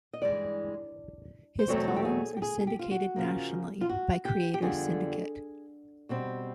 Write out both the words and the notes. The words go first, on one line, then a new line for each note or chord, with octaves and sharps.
His columns are syndicated nationally by Creators Syndicate.
D#5
G2 E3 G#3 D5
C5
E2 B2 F#3 A3 C4 C#5
F#4
G4
G#4
G4
G#4
G#4
G4
F4
F#4
C#3 F3 A#3
F4
F#4
G4
G4
F2 D3 G3 B3 G#4
B2 G3 C4